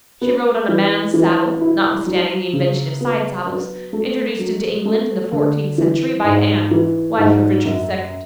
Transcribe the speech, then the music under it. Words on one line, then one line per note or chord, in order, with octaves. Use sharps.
She rode on a man's saddle, notwithstanding the invention of side-saddles, introduced into England in the fourteenth century by Anne, wife of Richard II.
B3
E3
E3
E4
F#3
C#3
B3
F#3
A3
F#3
A3
D3
E3
G#2
E3
G#2
F#2